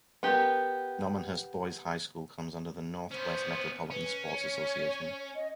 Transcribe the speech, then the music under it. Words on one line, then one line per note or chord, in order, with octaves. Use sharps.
Normanhurst Boys High School comes under the North West Metropolitan Sports Association.
B3 G4 A#4
B3 C#4 C5
C#4 B4
C#5
D#5